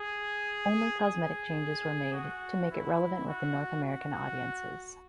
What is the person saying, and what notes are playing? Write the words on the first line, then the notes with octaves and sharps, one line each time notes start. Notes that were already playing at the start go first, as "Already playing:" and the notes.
Only cosmetic changes were made to make it relevant with the North American audiences.
Already playing: G#4
G#4
F#4
E4
F#4
F#4